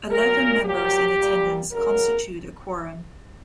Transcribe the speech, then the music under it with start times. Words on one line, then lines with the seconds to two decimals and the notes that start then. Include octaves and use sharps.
Eleven members in attendance constitute a quorum.
0.10 A#2 F#3 A#4
0.63 A#2 F#3 G4
1.18 A#2 G3
1.72 F#2 C#3 F#3 A#4